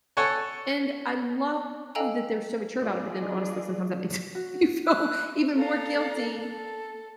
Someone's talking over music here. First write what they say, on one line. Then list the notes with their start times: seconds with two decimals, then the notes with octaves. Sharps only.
And I love that they're so mature about it, but then, honestly, sometimes that makes me feel even more guilty,
0.17 A4 C#5 F#5 G#5 A5
1.95 A4 D#5 F5 G5 G#5 A#5
2.82 D4 F4 G#4 D5 D#5
4.35 F#4
4.86 F#6
5.56 A4 F5 A#5
6.39 A4